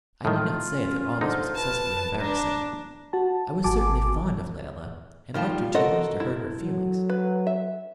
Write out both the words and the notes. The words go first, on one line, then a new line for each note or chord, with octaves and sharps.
I need not say that all this was excessively embarrassing I was certainly fond of Layelah, and liked her too much to hurt her feelings.
A2 D#3 F4
C#4
D3 D#4 C5
B4 A5
D4 A#5
F#4 A5
G#1 F#4 G#5 A5 D6
D#3 F3 G3 F4 A5
F#4 A4 A#4 C5 D#5 F#5
E4
F#3
B4
E5